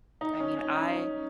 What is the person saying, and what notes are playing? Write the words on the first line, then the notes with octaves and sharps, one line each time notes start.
I mean, I
D#4
C#4
C#4
D#4
C#4